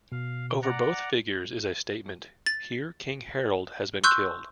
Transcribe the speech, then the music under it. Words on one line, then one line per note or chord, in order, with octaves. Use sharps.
Over both figures is a statement "Here King Harold has been killed".
B2 F5
D5 F#5 A#5
A6
C6 C#6 E6 F#6 G6